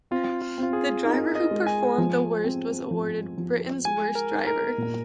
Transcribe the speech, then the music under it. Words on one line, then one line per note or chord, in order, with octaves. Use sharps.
The driver who performed the worst was awarded "Britain's Worst Driver".
C4 F4
F4
C4 F4
G#4
D#4 A#4
D#5
G#3
G#5
F3
C4
F3
F3
G#3 G#5
A#4
D#4
A#4
A#2